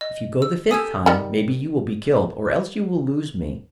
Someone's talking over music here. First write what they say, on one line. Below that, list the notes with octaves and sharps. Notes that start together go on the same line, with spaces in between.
If you go the fifth time, maybe you will be killed, or else you will lose me.
D#5
E6
G4 A4 G#5 D#6 E6 G#6
D#3 G3